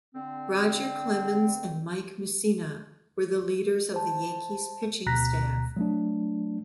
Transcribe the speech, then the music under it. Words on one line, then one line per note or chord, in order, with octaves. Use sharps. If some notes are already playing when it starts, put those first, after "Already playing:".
Roger Clemens and Mike Mussina were the leaders of the Yankees' pitching staff.
D3 C4
C5 A5
D2 B2 A#5 F#6 A#6 B6
F#3 A3 D4